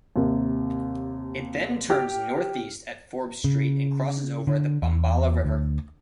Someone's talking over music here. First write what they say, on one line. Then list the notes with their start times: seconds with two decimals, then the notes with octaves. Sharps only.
It then turns northeast at Forbes Street and crosses over the Bombala River.
0.16 D#2 C3
1.90 G4 F6
3.44 C#3
4.47 D3
4.82 E2
5.45 D2